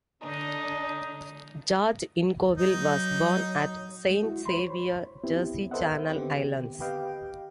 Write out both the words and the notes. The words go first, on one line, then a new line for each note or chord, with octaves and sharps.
George Ingouville was born at Saint Saviour, Jersey Channel Islands.
D3 D4 D#4
F#3 D#4
G#3
E4 F#4
C5 B5 C6
C#5
B3 C4 E4 G4
A4 B4 C5 D#5 E5 F#5
D3 D#3 B3 C4 G4
G4 B4 D#5 F5 G5